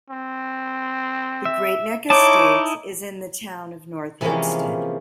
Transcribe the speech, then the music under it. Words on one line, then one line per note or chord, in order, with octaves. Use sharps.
The Great Neck Estates is in the Town of North Hempstead.
C4
E5
D#4 E4 C#5 A5 D6
C3 E3 F3 G#3 A#3 C#4